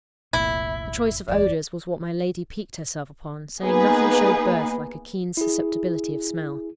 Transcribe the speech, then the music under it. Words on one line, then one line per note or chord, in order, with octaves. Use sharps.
The choice of odours was what my lady piqued herself upon, saying nothing showed birth like a keen susceptibility of smell.
F1 C2 A#2 E4
F#1 E2 D5
A#3 B3 D#4 G#4 B4
E4 G#4